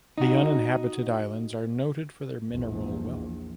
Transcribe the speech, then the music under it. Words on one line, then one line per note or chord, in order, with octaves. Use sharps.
The uninhabited islands are noted for their mineral wealth.
D#4 F#4
A#1 E2